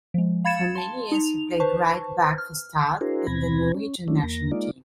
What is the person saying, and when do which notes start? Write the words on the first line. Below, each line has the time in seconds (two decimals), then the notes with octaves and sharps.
For many years he played right back for Start and the Norwegian national team.
0.14 F3 G#3
0.45 F5 B5 G#6 A6 C#7 E7
0.75 A5 C6
1.11 D#4 F7
1.60 B4 C5 A5 C#6
2.38 F6
3.01 D4 E4 F#4 G#4 A#4 C5
3.27 D#2 B2 C4 B5 G#6 A#6
3.75 C#4
4.08 F#3 A3 C#4 D4 E4
4.23 E2 A#3 A#6
4.51 G#3 A#3 D#4 F4 D5